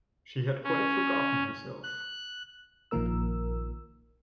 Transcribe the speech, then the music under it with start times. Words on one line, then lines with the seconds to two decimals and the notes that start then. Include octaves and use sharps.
She had quite forgotten herself.
0.64 C#4
1.83 F#6
2.91 A#1 D#3 F3 A#3 A#4 E6